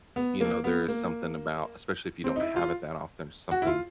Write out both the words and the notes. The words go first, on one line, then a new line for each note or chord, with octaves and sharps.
you know, there is something about especially if you don't have it that often, there's something
B3
A#3
B3
A#3
C4
D#4
E4
F4
F#4
E4
F4